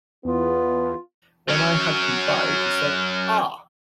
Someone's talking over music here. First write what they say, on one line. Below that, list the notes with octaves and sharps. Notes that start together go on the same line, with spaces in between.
When I had complied, he said, "Ah!"
E2 B3 F4
F#3 C#4